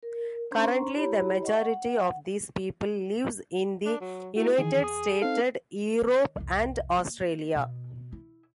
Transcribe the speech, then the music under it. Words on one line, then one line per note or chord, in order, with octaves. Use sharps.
Currently, the majority of these people lives in the United Stated, Europe, and Australia.
A#4
C#4 D4 C5 A#5 C6 C#6
E4 G4 C#5 A#5 B5
D#5 F#5 C#6
F#5
D4
F#3
A3 E4 F#4
D#3 E3 G#4
E2 D#6
C4 D#4 A4 F5
D#3
C2 F2
A#3
B2 B3
E4